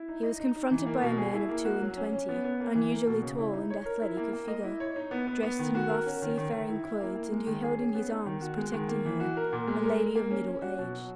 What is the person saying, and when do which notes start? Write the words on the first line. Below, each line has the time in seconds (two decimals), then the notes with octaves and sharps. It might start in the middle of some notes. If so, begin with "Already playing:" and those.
He was confronted by a man of two-and-twenty, unusually tall and athletic of figure, dresses in rough seafaring clothes, and who held in his arms, protecting her, a lady of middle age.
Already playing: E4
0.08 D#4
0.23 D#5
0.40 D#4
0.56 D#4
0.71 E3
0.86 A#3
1.02 B2
1.18 G#4
1.33 E4
1.49 A#3
1.65 F#4
1.81 F#3
1.97 C#4
2.13 C#4
2.29 B3
2.44 B3
2.60 A#3
2.75 E3
2.91 A#3
3.07 B2
3.23 C#3
3.39 E4
3.53 D#4
3.70 C#5
3.86 A#4
4.02 E4
4.17 A#3
4.33 A#3
4.48 D#5
4.64 E4
4.80 C#5
4.96 D#4
5.11 B3
5.27 B3
5.42 B3
5.59 D#3
5.75 F#4
5.89 A#4
6.06 C#4
6.22 D#3
6.38 D#3
6.53 D#3
6.69 E4
6.85 E4
7.00 A#3
7.16 A#3
7.32 G#3
7.47 D#3
7.64 G#4
7.79 C#4
7.95 B3
8.10 D#4
8.26 D#3
8.41 F#4
8.57 G#3
8.73 D#3
8.89 A#3
9.05 E3
9.20 F#4
9.37 A#4
9.52 A#2
9.67 G#3
9.83 A#4
9.99 A#4
10.15 A#3
10.30 C#4
10.47 C#4
10.62 F#4
10.78 B2
10.93 F#3